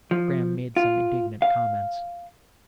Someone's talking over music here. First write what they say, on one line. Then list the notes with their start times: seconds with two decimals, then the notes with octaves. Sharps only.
Graham made some indignant comments.
0.11 F3
0.76 F4
1.42 F5